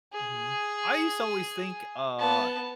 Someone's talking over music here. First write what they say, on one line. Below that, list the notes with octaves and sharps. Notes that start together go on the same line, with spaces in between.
Mhm. I used to always think, uh,
G#4
B3 A5